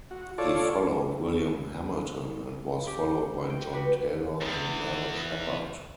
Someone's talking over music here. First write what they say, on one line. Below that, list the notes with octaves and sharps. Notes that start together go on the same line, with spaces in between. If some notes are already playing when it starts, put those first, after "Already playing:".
He followed William Hamilton and was followed by John Taylor and Mel Sheppard.
F#4
F4 A4 C#5 D5
G4
G5
F#4 G4 B4
E2 G#2